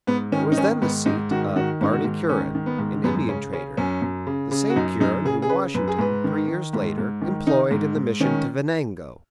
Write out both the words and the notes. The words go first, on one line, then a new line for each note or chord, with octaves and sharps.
It was then the seat of Barney Curran, an Indian trader--the same Curran whom Washington, three years later, employed in the mission to Venango.
G#2 B3
D#3 C#4
D#4
D#3 C#4
G#2 B3
G#2 D#4
D#3 F#4
D#3 F#4
G#2 D#4
F#4
G#2
D#3 C#4
D#3
B3
G#2
F#2 B3
C#3 C#4
C#3 C#4
F#2 C#4
F#2
C#3
C#3
F#4
F#2 D#4
F#2 D#4
C#3 G#4
G#4
C#3 B4
F#2 B4
G#4
G#2 B4
D#3
D#3
G#2
G#2
D#3
D#3 D#4
G#2
G#2
D#3 C#4